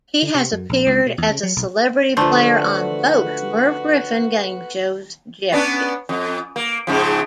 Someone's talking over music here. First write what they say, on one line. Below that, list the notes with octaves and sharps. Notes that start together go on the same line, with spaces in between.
He has appeared as a celebrity player on both Merv Griffin game shows Jeopardy!
D3
C3
F#2
A#1
C#2
B2
E2
C#3
F#3
B1
D3 F3 A3 D4 F#4 B4 C5
B3 C#4 D4
F2
A#3
G#2 C#3 F3